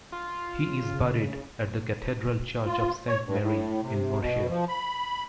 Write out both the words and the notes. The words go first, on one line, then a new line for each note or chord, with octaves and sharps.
He is buried at the Cathedral Church of Saint Mary in Murcia.
F4
C#3
F4
C#5
G2
A2
C3
B2
F3
B5